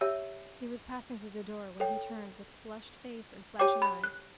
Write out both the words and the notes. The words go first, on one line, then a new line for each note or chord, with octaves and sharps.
He was passing through the door, when he turned, with flushed face and flashing eyes.
G4 C#5 E5 E6
A4 C#5 G5
G4 C#5 G5 D6
B5
F#6